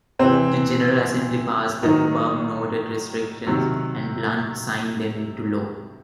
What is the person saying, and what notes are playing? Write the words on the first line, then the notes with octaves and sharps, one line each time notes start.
The General Assembly passed the above-noted restrictions, and Blunt signed them into law.
C3 E3 C4
A2 D#3 F#3 D#4
C3 D#3 F#3